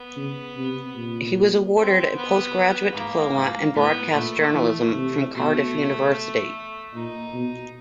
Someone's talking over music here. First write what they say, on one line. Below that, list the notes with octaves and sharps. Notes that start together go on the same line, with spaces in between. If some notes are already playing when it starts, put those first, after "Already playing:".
He was awarded a post-graduate diploma in broadcast journalism from Cardiff University.
Already playing: B3
C#3
C3
A#2
C4
B3
G#2 A#3
G#2
A2 B3
A#2 A3
E3
C3
B2 A3
A#2 D#4
B2